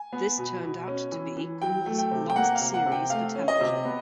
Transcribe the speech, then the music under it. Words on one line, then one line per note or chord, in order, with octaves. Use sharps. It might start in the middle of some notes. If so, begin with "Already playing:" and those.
This turned out to be Cool's last series for television.
Already playing: G#5
B3
B2
B2
C#4
E3
E3
F#3 G5
A3
G5
C3
G5
A#3 F#5
F5
C3
F#5
C3
G5
A3 F5
C#4
D#5
C3
B3